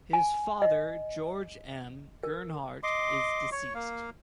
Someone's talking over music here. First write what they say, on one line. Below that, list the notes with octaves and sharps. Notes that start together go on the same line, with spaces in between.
His father, George M. Gernhardt is deceased.
G#5
D#5
A#4
D#5 C6 D6
C#5 C#6
A#3 F5